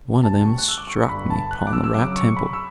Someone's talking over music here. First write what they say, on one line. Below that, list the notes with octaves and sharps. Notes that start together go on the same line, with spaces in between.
One of them struck me upon the right temple.
D2 C#3 G3 A5
C#6
F#6
E6
D6
C#6
G1 G2 D3 G3 B5
A5
F#6
D6
E6
E6
F#2 C#3 F#3 D6
C#6
B5
E6